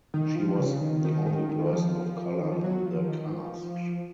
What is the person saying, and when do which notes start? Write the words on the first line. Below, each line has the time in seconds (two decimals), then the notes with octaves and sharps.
She was the only person of color in the cast.
0.14 D#3
0.35 F3
0.58 C#3
0.81 D#3
1.05 D#3
1.26 D#3
1.49 D#3
1.73 F3
2.40 D#3
2.52 F3
2.64 F#3
2.86 F3
3.08 D#3
3.31 F3